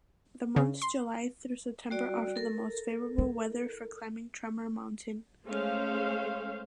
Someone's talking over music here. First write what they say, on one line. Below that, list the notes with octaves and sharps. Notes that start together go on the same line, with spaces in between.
The months July through September offer the most favorable weather for climbing Tremor Mountain.
C#3
C6
G3 F#4 D5
A4 A#4
E4
G#3 A3 C#4 C5 C#5 F5